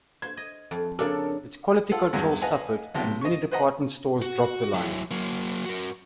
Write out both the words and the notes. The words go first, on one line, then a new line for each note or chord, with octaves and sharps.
Its quality control suffered, and many department stores dropped the line.
C5 G#6
D#5
F2
C#3 D4 A4 A#4
F4 A4 F#5
E2 G2 F3 F#3 G#3 B3
B4 D#5 F5 F#5 G#5 A5
B1 C3 F3 B3 G5
D#5 C#6
B4 C5 D#5 F#5 A#5
F#4
F#3 E4
F#3 A#3
F#4 A#4